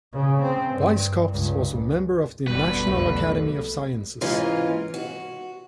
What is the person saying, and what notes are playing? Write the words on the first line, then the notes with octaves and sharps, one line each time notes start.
Weisskopf was a member of the National Academy of Sciences.
C#3
C4
G2
C#2 G2
F#1 D2 B2 D3 G3 B4
C2 F2 A3
G#2 E3 A#3 C#4 F4
F#4